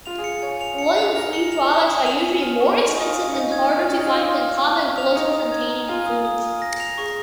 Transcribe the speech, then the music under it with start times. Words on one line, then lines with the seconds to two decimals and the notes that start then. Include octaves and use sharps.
Gluten-free products are usually more expensive and harder to find than common gluten-containing foods.
0.06 F4 F7
0.18 G#4
0.24 C#7
0.42 C#5 G#5
0.61 F7
0.78 C#7
0.97 F7
1.15 A#4 F7
1.33 C#7
1.52 F7
1.70 D#6
1.88 D#6
2.06 F7
2.24 G#5
2.42 F6
2.61 C#6
2.79 G#5
2.87 D#4
2.97 F4 D#6
3.15 D#6
3.27 C#4
3.33 D#4 D#6
3.52 G#6
3.70 F6
3.89 C#4 F6
3.98 D#4
4.07 F4 F6
4.25 F6
4.42 F6
4.61 F6
4.79 F6
4.98 F7
5.11 C#4
5.15 D#4 A#5
5.34 D#6
5.52 G#6
5.70 A#5
5.88 F4 G#5
6.06 D#6
6.25 D#6
6.43 D#6
6.62 A#6
6.80 F7
6.98 G#4 C#6